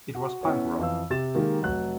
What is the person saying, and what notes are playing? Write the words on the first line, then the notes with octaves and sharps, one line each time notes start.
It was punk rock.
F#4
B3 C#4 E4 B4 C#5
F2 E3 F5 E6
C3 G4 A6 E7
D#3 G#3 A#3 G4
F1 F#3 F#6